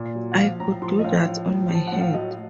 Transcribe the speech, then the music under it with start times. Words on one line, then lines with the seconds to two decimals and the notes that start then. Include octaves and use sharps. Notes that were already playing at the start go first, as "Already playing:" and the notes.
I could do that on my head.
Already playing: A#2
0.15 F#3
0.32 F#5
0.37 F3 F5
0.60 A2 A#5
0.82 F3 C6
0.99 D#5
1.04 A2 F5
1.26 F3
1.48 A2
1.70 F3 A5
1.87 A2 F#5
2.01 F5
2.14 F#3 D#5